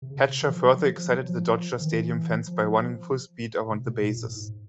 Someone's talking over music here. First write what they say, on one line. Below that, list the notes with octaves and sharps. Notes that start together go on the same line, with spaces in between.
Hatcher further excited the Dodger stadium fans by running full speed around the bases.
C3
C#3
C3
E3
F3
F#3
F3
F3
F#3
F3
D#3
E3
F3
C3
B2
A#2
A2
A2
G#2